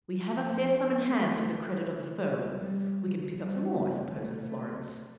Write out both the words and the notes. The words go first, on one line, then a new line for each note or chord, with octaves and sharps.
We have a fair sum in hand to the credit of the firm; we can pick up some more, I suppose, in Florence.'
F3
A3
G3
G3
A3
A3